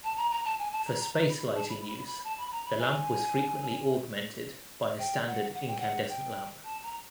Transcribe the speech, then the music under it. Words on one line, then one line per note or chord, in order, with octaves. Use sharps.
For space lighting use, the lamp was frequently augmented by a standard incandescent lamp.
A5
A#5
A#5
A5
G#5
A5
A#5
A#5
A#5
B5
A5
B5
B5
B5
A5
B5
A#5
B5
G#5
G5
F#5
F#5
G5
F#5
G5
A5
A#5